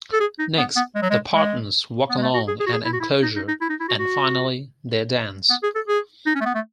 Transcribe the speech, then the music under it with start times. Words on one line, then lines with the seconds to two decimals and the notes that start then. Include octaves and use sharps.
Next, the partners walk along an enclosure, and finally they dance.
0.13 A4
0.20 G#4
0.39 D#4
0.58 B3
0.76 B3
0.95 G#3
1.02 F#3
1.10 G#3
1.33 G#3
2.10 B3
2.18 G#3
2.22 A3
2.34 F#4
2.48 G#4
2.60 G#4
2.66 F#4
2.73 G#4
2.85 E4
2.93 F#4
3.00 E4
3.23 D#4
3.36 D#4
3.48 D#4
3.61 E4
3.70 D#4
3.80 E4
3.89 F#4
3.99 F#4
5.50 B3
5.63 G#4
5.75 A4
5.88 G#4
6.26 D#4
6.35 C#4
6.41 A3
6.45 B3
6.55 A3